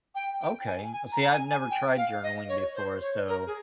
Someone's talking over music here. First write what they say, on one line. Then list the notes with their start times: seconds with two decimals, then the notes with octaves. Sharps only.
Okay. See, I've never tried journaling before, so
0.15 G5
0.40 G5
0.67 G#5
0.92 G#5
1.12 A#5
1.32 G#5
1.51 G#5
1.70 G5
1.97 F5
2.23 D#5
2.48 C#5
2.75 C5
3.01 C#5
3.28 A#4
3.46 G#4